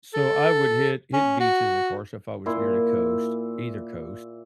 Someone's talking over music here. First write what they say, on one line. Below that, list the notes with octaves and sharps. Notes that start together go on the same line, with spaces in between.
so, I would hit hit beaches, of course, if I was near the coast, either coast.
A4
C#4
F#4
A#2 E4 C6